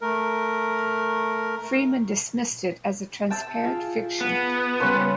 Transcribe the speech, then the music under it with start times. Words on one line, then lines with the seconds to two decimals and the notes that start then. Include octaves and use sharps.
Freeman dismissed it as a transparent fiction.
0.01 A3 A#4
3.30 G5 A5 E6
3.64 F4 G#4
4.21 B3
4.80 C#3 G3 C#4 B4 C5